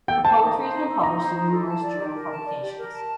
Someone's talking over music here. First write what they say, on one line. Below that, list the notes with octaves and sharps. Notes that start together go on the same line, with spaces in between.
Her poetry has been published in numerous German publications.
A4 G5
C5 A5
D#4
C5
D#4
A4
D#4 A#5
C5
D#4
A4
A5
D5
G4
A#4
A5
D5
G4
A#4
A5